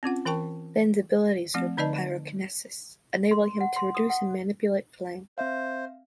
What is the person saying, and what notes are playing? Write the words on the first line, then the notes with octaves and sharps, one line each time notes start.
Ben's abilities are pyrokinesis, enabling him to produce and manipulate flame.
C4 C#4 F4 F#5
E3 A#4 G5 A5 C#6
F3 A3 C4
D3 D#4 B4 D5 D#5 A5
C6
F#5
C6
D#6
F#5
C4 C5 E5 F5